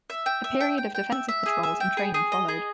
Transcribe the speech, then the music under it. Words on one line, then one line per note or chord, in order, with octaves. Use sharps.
A period of defensive patrols and training followed.
E5
G5
E5
G5
G5
G5
E5
E5
G#4
E5
G5
G#4
G#4
D#5
G#4